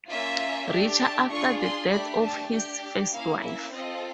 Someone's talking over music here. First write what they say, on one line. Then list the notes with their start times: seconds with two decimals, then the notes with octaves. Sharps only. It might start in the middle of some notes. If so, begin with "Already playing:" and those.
Richer after the death of his first wife.
0.10 A#3 C#4 F4 E5
0.71 A3 D4 G4
1.01 A5
1.31 D4 F4 G#4 C#6
1.62 C6
1.92 A3 D4 G4 B5
2.22 A5
2.52 D4 G4 G5
3.13 A#3 C#4 E4 F5
3.43 E5
3.73 C4 F4 A4 D#5